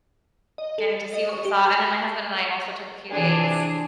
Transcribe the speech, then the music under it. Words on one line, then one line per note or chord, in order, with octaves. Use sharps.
getting to see what we saw, and then my husband and I also took a few days
D#5
A4
D#5
C#6
G4
C3 E3 D4 G#4